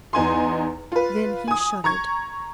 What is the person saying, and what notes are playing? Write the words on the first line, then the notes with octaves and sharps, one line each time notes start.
Then he shuddered.
E2 D#4 G#5 C6
F4 B4
G#5 D#6
A#5 C#6 G#6